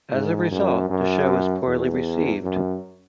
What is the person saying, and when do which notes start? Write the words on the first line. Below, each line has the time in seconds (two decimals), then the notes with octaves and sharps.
As a result, the show was poorly received.
0.13 G#2
0.51 F#2
0.90 F#2
1.67 E2
2.43 F#2